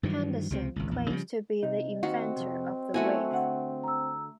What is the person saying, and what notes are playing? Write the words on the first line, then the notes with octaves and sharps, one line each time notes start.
Henderson claims to be the inventor of "the wave".
G2 D#3 E3 F#3
C#2 C3 C4
G#1 C#2
A#1 E2
C#3 F3 G3
C3 D#4 D#5
D#2 C4 D#4 F#4 F5
F2 C3
A3 B3 E4 F#4 A#4 G#5
D3 F#5
A#5 E6